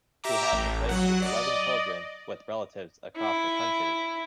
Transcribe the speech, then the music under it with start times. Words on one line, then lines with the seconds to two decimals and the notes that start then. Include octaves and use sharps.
He had to place his eleven children with relatives across the country.
0.24 G4 E5 A#5 D6
0.52 A1
0.89 F#3 F#5
1.22 D5 D#5
3.17 E4